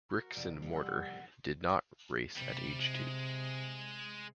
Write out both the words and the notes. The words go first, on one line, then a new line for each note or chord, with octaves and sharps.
Bricks and Mortar did not race at age two.
F#4 A#4
F1 D5 D7
G3
F#5 C6 E6
C3 G3
G#3